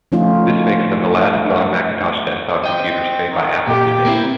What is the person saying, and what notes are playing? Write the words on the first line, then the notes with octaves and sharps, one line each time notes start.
This makes them the last non-Macintosh desktop computers made by Apple to date.
F3 A3 C#4 D#4 F4
C4 D#5 G5
D#3
A#2 G4
A#3 C4 E4